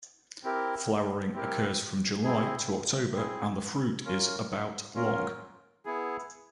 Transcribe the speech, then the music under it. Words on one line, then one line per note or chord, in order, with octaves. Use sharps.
Flowering occurs from July to October and the fruit is about long.
C4 E4 G4 A#4
C4 E4 G4 A#4
C4 E4 G#4
C4 E4 G#4
C#4 F4 A#4
C#4 F4 A#4
B3 E4 G#4